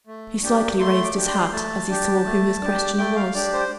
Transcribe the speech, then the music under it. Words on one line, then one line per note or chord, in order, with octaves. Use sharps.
He slightly raised his hat as he saw who his questioner was.
A3
D4 G4
A3 C6
D6
D4 G4
C6
A3 A5
D4 G4
A3
D4 G4
A3 G5
F5
D4 G4 D5
C5